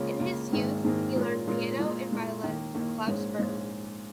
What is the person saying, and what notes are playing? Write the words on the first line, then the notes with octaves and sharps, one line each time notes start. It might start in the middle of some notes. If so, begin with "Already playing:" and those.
In his youth he learned piano and violin from Klaus Hertel.
Already playing: C#2 C#3 A#3 F4
C#2 C#3 A#3 F4
G#1 G#2 D#3 A#3
G#1 G#2 D#3 A#3
A#2 G#3 C#4 F4 A#4
A#2 G#3 C#4 F4 A#4
A#2 G#3 F4
A#2 G#3 F4
D#2 D#3 A#3
D#2 D#3 A#3
A#1 G#2 G#3 C#4
A#1 G#2 G#3 C#4